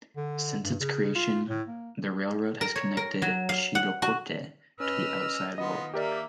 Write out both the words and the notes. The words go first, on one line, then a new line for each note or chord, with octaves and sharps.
Since its creation the railroad has connected Chillicothe to the outside world.
D3
G2
C#3
F4
A2
A#3
A#4
C#5
A#4
F#3
F5
F#5
F#4
C#4 B4 D#5 E6 F6
D#5
D#3 B3 F4 D#5
A#3 G4 A#4 D5 E5